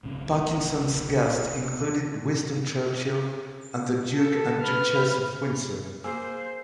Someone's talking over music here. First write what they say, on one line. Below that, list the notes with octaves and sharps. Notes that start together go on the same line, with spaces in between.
Parkinson's guests included Winston Churchill and the Duke and Duchess of Windsor.
D1 B1 C#3 C4
A4
B4 F6
A#3 G#4 C5 E6